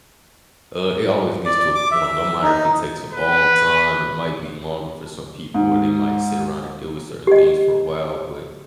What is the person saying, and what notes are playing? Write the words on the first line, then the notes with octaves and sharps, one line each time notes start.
uh, it always gets to a point no matter if it takes a long time. It might be longer for some people where they might sit around and deal with certain things for a while, but
D5
D6
E5
D#4
B4
G#2
G4 D#5